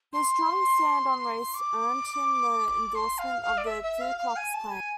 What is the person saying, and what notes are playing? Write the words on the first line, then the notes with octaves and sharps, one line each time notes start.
His strong stand on race earned him the endorsement of the Ku Klux Klan.
C6
D6
C6
F5
F5
D5
E5
E5
F5
F5
G#5
A5
G#5